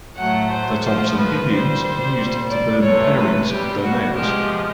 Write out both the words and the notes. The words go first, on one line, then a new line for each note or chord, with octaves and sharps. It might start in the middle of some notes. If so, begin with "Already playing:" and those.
The Thompson Indians used to burn the parings of their nails.
A2 F#3 A3 F#5
C5
A#2 F3 A3 C5
B4
A#2 G3 C5
A#2 G3
D5
C3 E3 A3 C#5
B4
B2 G3 G4
F#4
C3 F3 G#3 G4